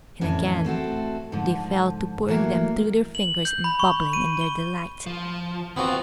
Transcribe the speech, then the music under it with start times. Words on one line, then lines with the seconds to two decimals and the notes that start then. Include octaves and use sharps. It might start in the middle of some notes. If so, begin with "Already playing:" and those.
And again they fell to pouring them through their fingers and babbling in their delight.
0.21 F2 A2 E3 C#4
0.64 A3 C4 F#4 A4
1.32 G#2 D3 F3
2.28 E3 F#3 A3 A#3
3.15 F#7
3.45 G6
3.64 B5
3.80 C#6
4.13 D#7
4.41 G7
5.06 F3
5.76 D#2 B3 C4 F4 F#4